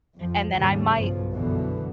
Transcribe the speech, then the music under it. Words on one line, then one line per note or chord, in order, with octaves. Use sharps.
and then I might
F2 F3
D#2 G#2 C#3 G3
B1 G2 F3
F#2 B2 D3 E3